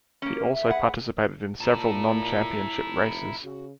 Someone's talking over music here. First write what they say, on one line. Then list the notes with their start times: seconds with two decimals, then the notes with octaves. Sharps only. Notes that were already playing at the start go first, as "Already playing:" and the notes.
He also participated in several non-championship races.
0.22 A#3 C#4
0.35 A#4
0.52 E5
0.66 G#4 B4 F#5
1.61 A#2 E4 A5 A#5
2.83 F1
3.44 C#3 F#4